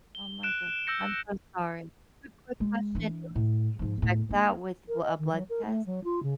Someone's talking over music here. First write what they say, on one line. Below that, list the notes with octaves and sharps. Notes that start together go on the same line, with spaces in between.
Oh my gosh, I'm so sorry. Quick quick question, it was can you check that with bl a blood test?
G7
F#6 D7 E7
E6 G6 A#6 C#7
G#3
E3 D4
A2
G#2 F3
E2 A2
D#2 D4
A#4
D#5
D#3
F#3
A#4
A3
F#3
F4
C#3